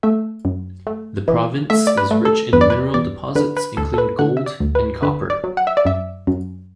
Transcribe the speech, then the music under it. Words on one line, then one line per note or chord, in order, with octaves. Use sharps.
The province is rich in mineral deposits, including gold and copper.
A3 E5
F#2
A3
E3
A3 E5
D5
B4
A3
A4
E2 B4
D5
B4
E2 D5
D3 B4
B4
D2 A4
A4
B4
D3 F#5
E5
D5
D2
B4
D3 B4
D5
F#3
F#5
E5
D5
F#2 E5
F#2